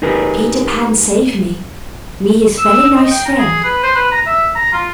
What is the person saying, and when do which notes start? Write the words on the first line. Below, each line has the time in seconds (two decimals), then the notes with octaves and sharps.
'Peter Pan save me, me his velly nice friend.
0.02 D#4 G4 G#4 A#4 B4
2.58 E6
2.96 D#5
3.11 G5
3.25 A#5
3.38 G#4
3.64 B4
3.83 C5
3.95 B4
4.12 A#5
4.26 E5
4.55 A#5
4.73 F4